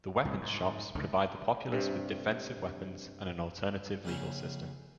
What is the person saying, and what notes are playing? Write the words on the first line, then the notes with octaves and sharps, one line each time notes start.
The Weapon Shops provide the populace with defensive weapons and an alternative legal system.
C2 A2
G#2
C#2 D3 D#3
G2 C3
A#1 C#3 C#4 E4 C5 G#5